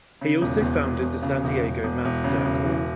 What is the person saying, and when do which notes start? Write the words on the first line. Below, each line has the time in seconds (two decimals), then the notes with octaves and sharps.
He also founded the San Diego Math Circle.
0.21 C#3
0.41 E1
0.62 E2
0.83 E1
1.02 E1
1.22 C#3
1.44 E1
1.64 E1
1.83 E1
2.05 E1
2.24 C#3
2.45 E1
2.65 E3